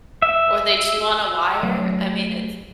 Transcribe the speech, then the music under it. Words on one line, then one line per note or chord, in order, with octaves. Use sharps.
or they chew on a wire. I mean, it's
E5
F#3 A3